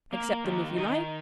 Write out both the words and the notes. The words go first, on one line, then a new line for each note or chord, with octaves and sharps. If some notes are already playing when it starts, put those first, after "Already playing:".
Accept them if you like.
A#3
D#3
D#3 D#4